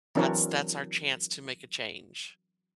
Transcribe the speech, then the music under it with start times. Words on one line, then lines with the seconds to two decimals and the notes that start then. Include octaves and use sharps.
that's that's our chance to make a change.
0.15 E3 F#3 C4 D4 A#4 C#5